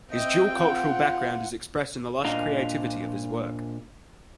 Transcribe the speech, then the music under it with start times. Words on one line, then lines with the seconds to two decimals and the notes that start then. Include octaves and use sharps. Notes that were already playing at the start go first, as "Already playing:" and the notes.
His dual cultural background is expressed in the lush creativity of his work.
0.12 C4 D#5 E5 G5
0.58 F4 F#5
2.25 A#2 D4 D#5 F5 A#5